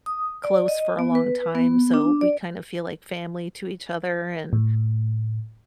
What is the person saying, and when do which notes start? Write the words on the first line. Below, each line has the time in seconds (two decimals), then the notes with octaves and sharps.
close for a long time, so we kinda feel like family to each other, and,
0.06 D#6
0.44 D5
0.68 D#5
0.99 B3
1.15 B4
1.55 B3
1.94 D4
2.21 D5
4.53 A2